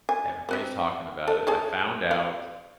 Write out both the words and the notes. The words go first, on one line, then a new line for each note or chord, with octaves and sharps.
everybody's talking about it, I found out
G#5
C4 B4 E5
A4
G#4 A4 C#5
F5